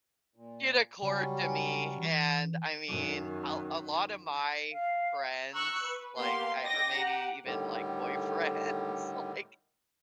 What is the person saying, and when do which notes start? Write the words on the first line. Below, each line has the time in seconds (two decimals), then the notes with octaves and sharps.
did accord to me, and, I mean, a a lot of my friends, like, I or maybe even, like, boyfriends, like,
0.35 A#2
1.02 C#3 F#3 G3 C#4
1.98 E3
2.88 F#2 D#3
4.71 F5
5.52 A#5 C#6 E6 F#6
5.83 B4
6.16 A#3 B3 G4 F5 C6
6.60 D#5 G5 D6 A#6
6.95 G4 F#5 A#5
7.45 A2 D3 D#3 G3